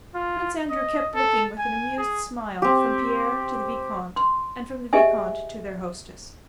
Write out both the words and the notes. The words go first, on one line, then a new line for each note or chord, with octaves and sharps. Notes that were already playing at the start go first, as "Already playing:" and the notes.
Prince Andrew kept looking with an amused smile from Pierre to the vicomte and from the vicomte to their hostess.
F4
D#5
A4
G#5
G#4
C4 G4
C6
G4 G#4 D#5 E5 G#5